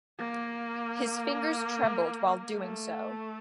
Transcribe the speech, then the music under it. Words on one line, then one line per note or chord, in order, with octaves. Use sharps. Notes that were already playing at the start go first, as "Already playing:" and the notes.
His fingers trembled while doing so.
A#3
A3